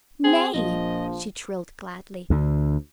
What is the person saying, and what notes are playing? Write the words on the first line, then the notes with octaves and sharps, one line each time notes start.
"Nay!" she trilled gladly.
C4 G#4
A#1 F3 D#5
D2 D3